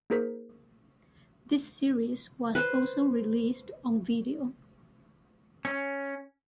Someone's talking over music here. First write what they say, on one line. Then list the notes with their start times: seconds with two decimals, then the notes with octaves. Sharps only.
This series was also released on video.
0.10 A#3 D#4 G#4 A#4 C5 B6
2.55 B4 C5
5.65 C#4